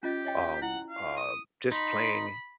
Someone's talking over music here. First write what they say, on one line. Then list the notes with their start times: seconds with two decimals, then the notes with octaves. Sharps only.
um, uh, just playing
0.03 C#4 F4 G4 D#5
0.25 C#5 D#5 G5
0.62 E4 F#5
0.89 F5
1.17 D#6
1.72 D#4 B5 C6